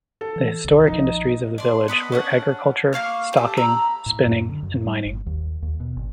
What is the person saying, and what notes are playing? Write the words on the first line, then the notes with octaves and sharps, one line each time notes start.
The historic industries of the village were agriculture, stocking, spinning and mining.
A4
E3
D#1 C2
A#1 F2 D#4
D4 C6
B3 B4 D#5
C#4 D4 F#5
A#3 F5 C#6 F6
G4 A4
A#5 B5 E6
A2
F#2
D3
F#2
G3
G1
D#2
D#2
B2
G#1